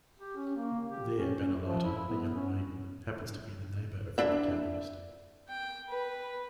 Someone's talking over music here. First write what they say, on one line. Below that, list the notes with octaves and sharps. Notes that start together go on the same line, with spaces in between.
There Banalata, a young maiden, happens to be the neighbour of the protagonist.
G4
C#4
A#3
G4
C#4
C#4
F3
E4
B3
C#4
D4 E4 E5
G5
B4